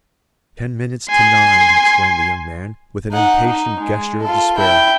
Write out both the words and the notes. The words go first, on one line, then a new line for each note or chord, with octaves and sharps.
"Ten minutes to nine!" exclaimed the young man, with an impatient gesture of despair.
G#5 C6
D#4 F#5
D#4
G#3
F4 A4
E4 G5